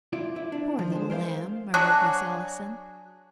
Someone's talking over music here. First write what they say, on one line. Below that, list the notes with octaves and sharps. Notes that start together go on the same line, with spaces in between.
"Poor little lamb," murmured Miss Allison.
E4 F4 D5
E4
D4
F3
G#3 C5
A#4 C5 C#5 F5
F#3 D4 F#4 G#4